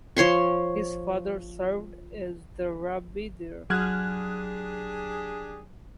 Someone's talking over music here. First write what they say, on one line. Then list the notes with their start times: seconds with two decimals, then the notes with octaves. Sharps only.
His father served as the rabbi there.
0.17 F3 C#5 C6 C#6
3.70 F#3 D4 G4 G#4 F6 F#6 G#6